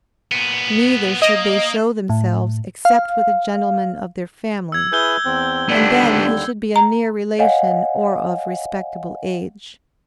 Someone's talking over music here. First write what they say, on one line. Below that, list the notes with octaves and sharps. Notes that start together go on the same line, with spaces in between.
Neither should they show themselves except with a gentleman of their family, and then he should be a near relation or of respectable age.
A#2 B3
A#3 D#5
A2
F5
E6 G#6
E4 G#4 B4 E6 G6 G7
E2 C4
D#2 D3 G3 B3 D4
A#5
C#5 D#5 F5 F#5 G#5